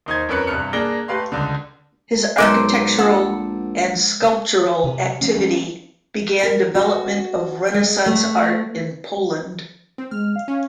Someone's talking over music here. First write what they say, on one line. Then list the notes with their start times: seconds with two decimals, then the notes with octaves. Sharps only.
His architectural and sculptural activity began development of renaissance art in Poland.
0.06 D#2 D#4 C5 G#6
0.29 F2 C#4 A#4 B4 F#6 C#7
0.47 E2 G2 C3 B5 F6 C#7
0.73 A#3 D4 G#4 D5 A#6 G7
1.08 A3 G4 B4 F5 C6
1.32 C#2 D3
2.38 B1 G#3 A4 A#4 C5 C6 D6
2.98 A#1 A4 F#5
4.84 C3
5.21 F3 A3 C#4
5.35 F3 G3 B3 C#4
6.43 A#4
6.75 F#4
7.74 G#3
8.06 A3
9.98 C4
10.11 G#3 F6
10.36 F5
10.48 C#4